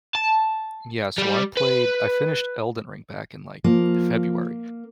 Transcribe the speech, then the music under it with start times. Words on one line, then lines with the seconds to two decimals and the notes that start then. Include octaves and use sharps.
yeah, so I played I finished Elden Ring back in, like, February,
0.15 A5
1.18 G3 G4
1.57 B4
3.64 F3 A#3